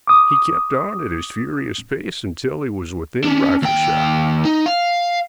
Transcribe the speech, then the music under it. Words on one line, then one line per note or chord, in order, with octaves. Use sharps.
He kept on at his furious pace until he was within rifle shot.
D6 D#6
C#4 D4
D#2 G5
D#4
F5